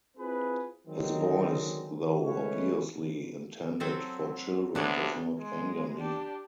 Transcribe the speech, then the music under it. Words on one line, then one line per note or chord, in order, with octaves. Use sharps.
His voice, though obviously intended for children, does not anger me.
C4 E4 F4 G#4 B4
D3 D#3 F#3 G#3 C4 D#4
D#3 G#3 A3 C#4 B4 C#5
F#3 C4 A4
D2 B3 D4 C#5
G#3
D4 G4